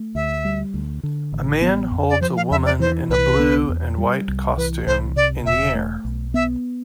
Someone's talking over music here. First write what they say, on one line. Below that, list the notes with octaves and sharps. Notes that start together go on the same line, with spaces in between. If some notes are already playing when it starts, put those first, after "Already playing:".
A man holds a woman in a blue and white costume in the air.
Already playing: A3
D2 E5
G3
D2
D3
A1
B3
F2
D5
F3 C5
F5
E2 E5
D5
E3 C5
C2 B4
B3
E2
G3
C2
E3 B4
C2 C5
C3 D5
E1 E5
A3
B1
B3 E5